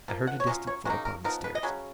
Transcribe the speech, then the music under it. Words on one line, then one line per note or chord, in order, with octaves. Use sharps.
I heard a distant foot upon the stairs.
F3 A#3
F#5
C#5
F#3 C#4 F4 D#5
C#5
C#3 F#3 A#3 D#4 F#4
A#4
F3 B3 D#4 A#4
B4
D#5
C#3 F#3